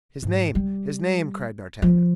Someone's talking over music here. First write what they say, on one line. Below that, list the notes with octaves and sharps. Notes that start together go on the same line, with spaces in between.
"His name; his name!" cried d'Artagnan.
G#2
G3
F3